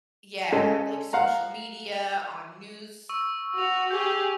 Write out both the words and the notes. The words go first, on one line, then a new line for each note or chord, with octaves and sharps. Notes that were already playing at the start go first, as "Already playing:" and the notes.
Yeah, like, social media, on news
G#3 C#4 A4 D#5
F5 F#5 A#5
C#6 E6
F#4 F7
G4 G#4 G6